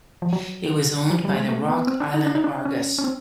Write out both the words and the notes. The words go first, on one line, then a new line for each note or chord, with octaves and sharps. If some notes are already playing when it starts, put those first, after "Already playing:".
It was owned by the Rock Island Argus.
F3
F#3
F#3
G3
G#3
A3
B3
C4
D4
D#4
D4
D#4
D4
C#4
C#4
C4